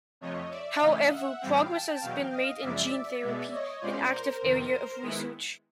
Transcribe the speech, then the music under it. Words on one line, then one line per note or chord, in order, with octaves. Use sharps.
However, progress has been made in gene therapy, an active area of research.
F2 C3 F3 A3 C#5 D#5
D5 E5
C#3 E3 A3 D#5 F5
E5 F#5
A2 E3 G3 C4 F5 G5
G5 A5
E2 B2 F#3 F5 G5
D#5 F5
F#2 C#3 F3 G#3 D5 E5
B2 G#3 B3
C#5 D#5
B2 G#3 C#4 F4 C5 D5
A#4 C5
F2 C3 D#3
D#3 G#3 B3 E4